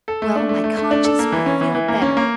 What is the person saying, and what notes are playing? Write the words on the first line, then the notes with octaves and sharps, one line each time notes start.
"Well, my conscience will feel better."
A4
A3
D4
A3
A3
A3
D4
A4
A#3
E3
C#4
E3
E3
A#3
C#4
A#3